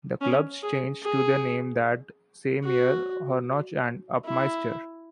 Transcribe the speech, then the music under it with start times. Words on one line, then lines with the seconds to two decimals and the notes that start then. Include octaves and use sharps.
The club changed their name in that same year to Hornchurch and Upminster.
0.21 C#4
0.63 G#4
1.03 G#4
2.64 F#4
4.25 E4